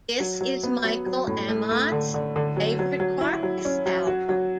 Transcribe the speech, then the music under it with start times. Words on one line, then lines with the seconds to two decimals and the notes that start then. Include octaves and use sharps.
This is Michael Amott's favorite Carcass album.
0.20 F#3
0.41 F#3
0.63 B3
0.84 F#3
1.06 F#3
1.27 A2
1.49 A3
1.71 A3
1.92 D3
2.14 D3
2.36 D3
2.57 F#3
2.79 F#3
3.00 F#3
3.21 E4
3.43 F#3
3.65 C#4
3.86 F#3
4.07 F#4
4.29 F#3